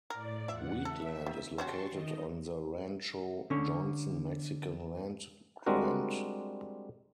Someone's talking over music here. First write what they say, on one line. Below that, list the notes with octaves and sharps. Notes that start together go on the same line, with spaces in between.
Wheatland is located on the Rancho Johnson Mexican land grant.
A2 A#4 D5
E2 F4 E5 F#5
A4 E5
D#3
C4 C#4 F#4 A5 C6 C#6
D#3 D#5
D3 C#4
G3 G#3 C4 D4 F#4 A#4